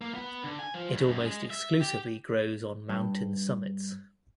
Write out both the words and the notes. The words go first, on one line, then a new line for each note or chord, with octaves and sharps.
It almost exclusively grows on mountain summits.
A#3
B3
D3
G#5
F3
D2
F#2
G#3
E5
G4
G2